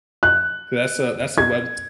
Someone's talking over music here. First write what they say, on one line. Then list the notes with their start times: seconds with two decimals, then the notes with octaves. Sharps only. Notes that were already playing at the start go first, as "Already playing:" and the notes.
That's a that's a webs
0.23 F#6
1.38 G#6